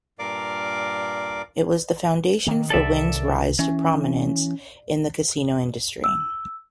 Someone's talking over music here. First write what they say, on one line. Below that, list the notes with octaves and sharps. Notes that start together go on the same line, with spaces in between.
It was the foundation for Wynn's rise to prominence in the casino industry.
G2 A#2 A#4 D5 F5 D6
D#3 A#3
C2 D#3 A4 D5 E5
E3 C#4
E6